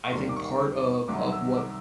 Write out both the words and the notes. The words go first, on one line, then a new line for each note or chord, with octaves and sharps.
I think part of of what
C#6
D#2 D#3 G3 A#3 C6
D6
C#6
C2 C3 D#3 F#3 D6
E6
D6